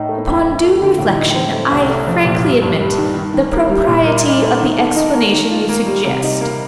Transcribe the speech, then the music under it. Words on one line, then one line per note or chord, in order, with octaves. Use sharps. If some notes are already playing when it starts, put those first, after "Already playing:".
Upon due reflection I frankly admit the propriety of the explanation you suggest.
Already playing: A2 D#4 A#4
A3
F2
F2
A3
D3
A2
D#4
C4
A3
C2
A3
F3
A#2
G2
G2
G3
D#3
D#3
D#3
A#3
G3
A#2
A#4
D#4
A3
D#3
A4
D#4
A#3
D#3
F4
A#3
G3
C3
D#4
A#3